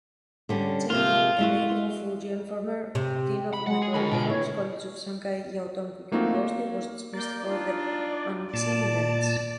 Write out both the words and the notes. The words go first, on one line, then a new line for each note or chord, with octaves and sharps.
Chen Jin, a native of Fujian, former dean of Microelectronics College of Shanghai Jiaotong University, was dismissed for the Hanxin events.
D3 G3 C#4
C3 F3 A#3 F4
G#3 E4 F#4
C3
B5
G#3 F#5
G#4
D3 D#3 A#4 G#5 B5
B2 F4 G#5 D7
E4 C#5
A3 A#3 C4 D#4 F4 F#4
A#3
A#3 D5 G6
D4 D#4 F4
A#2 D5 A5